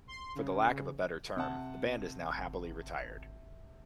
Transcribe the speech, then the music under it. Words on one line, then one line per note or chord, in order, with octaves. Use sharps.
For the lack of a better term, the band is now happily retired.
C6
C#3
C3 F#5 A5
G#1